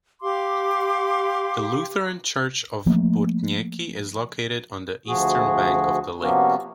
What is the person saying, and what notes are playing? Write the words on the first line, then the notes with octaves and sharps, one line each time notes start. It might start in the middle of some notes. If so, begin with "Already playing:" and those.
The Lutheran church of Burtnieki is located on the Eastern bank of the lake.
G4 F5 C6 D6
F3 A3 A#3
D2 F3 F#4 G#4
C3 F3 A#3 B3 C#4 F#4